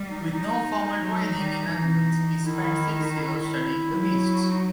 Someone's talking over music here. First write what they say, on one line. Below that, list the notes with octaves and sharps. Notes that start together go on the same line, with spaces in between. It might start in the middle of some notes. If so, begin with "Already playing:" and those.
With no formal training in animals, he spent six years studying the beasts.
Already playing: G3
D#4
D#4
F#3
G3
E3 D#4
D#3 E4
E4
E4
D#4
E4
F#3
D#4